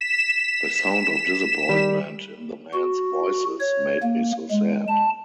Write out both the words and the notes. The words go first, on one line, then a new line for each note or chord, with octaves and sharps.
The sound of disappointment in the men’s voices made me so sad.
B6 E7
D#3 G3
F#4
C#5
A#3
G#3
A5